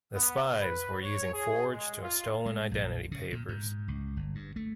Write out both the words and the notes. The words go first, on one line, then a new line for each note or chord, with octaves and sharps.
The spies were using forged or stolen identity papers.
B3
B4
C#5
G#4
G#3
F4
G#3
A#1
C#3
A#2
G#2
C#2
G1
G2
A3